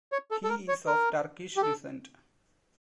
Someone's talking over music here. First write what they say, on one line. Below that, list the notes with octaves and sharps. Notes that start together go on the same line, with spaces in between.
He is of Turkish descent.
C#5
A4
A4
A#4
C#5
A#4
G4
A4